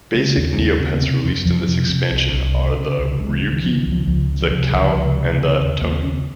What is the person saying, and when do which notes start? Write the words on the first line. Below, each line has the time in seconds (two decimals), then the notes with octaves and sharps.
Basic Neopets released in this expansion are the Ruki, the Kau, and the Tonu.
0.14 C#3 G#3
0.29 A#3
0.37 D#2
0.44 C4
0.58 D#2 C4
0.80 C#3 C4
0.94 A#3
1.02 C3 C4
1.24 F2
1.45 F2 F3
1.67 C3 F3
1.89 C3 C4
2.11 C2
2.33 C2
2.54 C3
2.76 C#3
2.98 C#2
3.20 C#2 G#3
3.41 C#3 G3
3.53 D#3
3.63 C#3 F3
3.78 D#3
3.85 C#2
3.92 F3
4.07 C#2 F3
4.29 C#3
4.44 D#3
4.50 C3 F3
4.72 C#2 F3
4.94 C#2
5.16 C3
5.38 C#3 C4
5.60 D#2
5.81 D#2 A#3
5.92 C4
6.03 C#3 C#4
6.14 C4